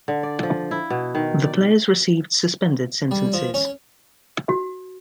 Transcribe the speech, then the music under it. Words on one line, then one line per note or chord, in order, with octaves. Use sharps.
The players received suspended sentences.
D3
D5
F3
E4
B2
D#3
D5
G3
F3
C#4
F#4